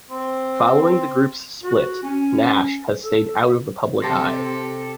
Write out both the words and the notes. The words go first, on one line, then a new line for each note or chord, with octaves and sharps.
Following the group's split, Nash has stayed out of the public eye.
C4
F#4
C#4
A4
C3 G4 A4 A5 C6 A#6